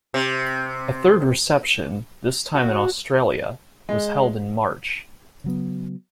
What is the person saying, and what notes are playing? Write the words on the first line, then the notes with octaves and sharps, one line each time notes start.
A third reception, this time in Australia, was held in March.
C3
F#4
G#3
C#3 F#3 B3